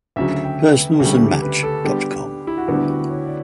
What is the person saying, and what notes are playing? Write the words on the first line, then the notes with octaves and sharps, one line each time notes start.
Personals and Match dot com.
D2 C#3 F#3 E5
G5
B4
D2 C#3 G3 A4
G4
B4
A4
D3 G3 B3 D4 G4
E4
F#4
D2 D3 G3 B3 D4 G4
F#4
C#5
D5